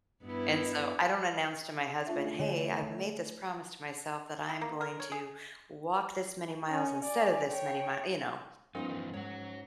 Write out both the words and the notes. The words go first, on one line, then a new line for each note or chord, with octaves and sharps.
And so, I don't announce to my husband, "Hey, I've made this promise to myself that I am going to walk this many miles instead of this many mi", you know.
G2 B3 E4
A3 D4 F4 E5
D3 C#5
E4
A#3
A#4
C#5
G#4
C#4
D5 G#5
C#5 G5
F3 B3 C#4 D#4 F4 C5
G2 E3 D#4
G#2 C#5 F#5